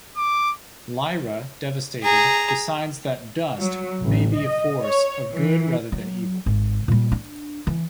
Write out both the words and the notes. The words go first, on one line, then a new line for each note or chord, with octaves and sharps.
Lyra, devastated, decides that Dust may be a force of good rather than evil.
D6
G#4 A#5
F#3
A1
D#5
C#5
E3
F#3
G#1
A#2 G3
D4
E3